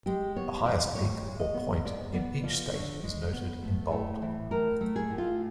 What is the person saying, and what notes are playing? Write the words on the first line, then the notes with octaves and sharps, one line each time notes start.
The highest peak or point in each state is noted in bold.
G#3 G4
B3 C#5
E3 D5
A2 C#5
G#3
D#5
B3
G#3 D5
B3 D5
F3 D5
D5
D3 C#5
G#3
B3
A3
A2
E3
A2 A#4
A3
G#4
A2
F4